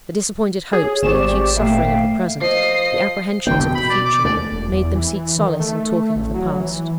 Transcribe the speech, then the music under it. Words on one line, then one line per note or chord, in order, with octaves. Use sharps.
The disappointed hopes, the acute suffering of the present, the apprehensions of the future, made them seek solace in talking of the past.
G#4 C#5
G#1 C4 G4 G#4 C5 D5 C#6 E7
F2 A#2 A3 E5 F5 G5
F3 D#5 C7
E1 D3 A#3 G5
B2 G5
B5
D5
D6
D2 A3 D5
E1
E2
E3
D#3
A3
A1
F#3
E3